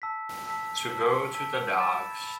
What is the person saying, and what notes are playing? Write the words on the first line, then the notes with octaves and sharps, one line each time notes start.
To go to the dogs.
A5 E6 B6
A5 E6 B6
A5 E6 B6
A5 E6 B6
B5 E6 A6 E7
B5